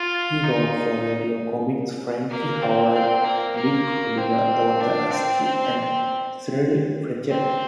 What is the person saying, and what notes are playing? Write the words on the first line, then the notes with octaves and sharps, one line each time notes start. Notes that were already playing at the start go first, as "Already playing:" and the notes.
He wrote for radio comics Frankie Howerd, Vic Oliver, Arthur Askey, and Cyril Fletcher.
Already playing: F4
D#4
A#3
C4
C4
A#3
A#3
C4
D4
C4
C4
C4